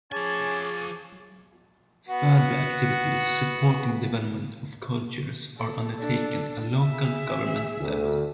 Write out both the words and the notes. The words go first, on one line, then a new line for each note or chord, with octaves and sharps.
Further activities supporting development of culture are undertaken at local government level.
F3 C#4 G#4 G#5 A5 C#6 D6
B3 F#4
A4
D4 A4
G#4 E5
D2